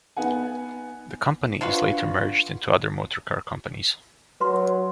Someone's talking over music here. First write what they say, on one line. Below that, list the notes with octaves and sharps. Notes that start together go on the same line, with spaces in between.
The company is later merged in other motor car companies.
B3 D#4 F#5 G#5
D4 F4 F#4 B4
F#3 B4 C6